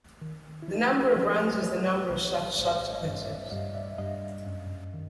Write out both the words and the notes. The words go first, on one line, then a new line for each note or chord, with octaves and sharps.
The number of runs is the number of such sub-sequences.
D#3
E4
F3 D#4 F4
G4 A4
F3
G4 A4
F3 B4 C#5
B1
G#1 C5 D5
C#5 D#5
G2
D5 E5
G2 D#5 F5
D5 E5
G2 D#5 F5
F#2
D#3